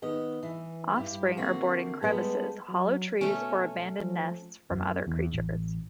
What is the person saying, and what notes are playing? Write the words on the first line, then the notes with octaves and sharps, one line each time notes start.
Offspring are born in crevices, hollow trees, or abandoned nests from other creatures.
D#3 B3 D#5
E3
G2 E4 G4
D3 A3 A#3 C4 F#4
G3 G#3 B3 A4
F#3
B2 A3 C#4
F3
F#2
E2
A1